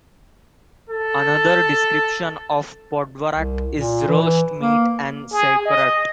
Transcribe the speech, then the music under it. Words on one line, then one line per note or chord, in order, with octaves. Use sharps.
Another description of podvarak is roast meat en sauerkraut.
A4
C2
A#2
E3
A#3
G#4
D#5